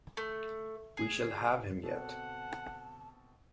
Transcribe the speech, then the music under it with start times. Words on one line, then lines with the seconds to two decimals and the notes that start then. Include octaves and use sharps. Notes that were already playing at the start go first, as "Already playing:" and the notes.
We shall have him yet!
0.17 A3
0.97 G#4
1.83 B2 C4 A4 F#5 A5